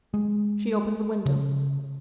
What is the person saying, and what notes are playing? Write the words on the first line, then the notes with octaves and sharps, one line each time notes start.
She opened the window.
G#3
C#3